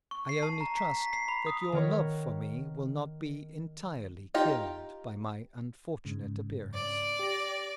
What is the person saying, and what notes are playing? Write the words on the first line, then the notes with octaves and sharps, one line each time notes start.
I only trust that your love for me will not be entirely killed by my unfortunate appearance.
C#6
C7
A5
A#5
B6
B6
C7
B5
D#6
D#3 B3 A#4 C#5
D#4 F4 G4 G5
G#2 C#3
D5
G4 A#6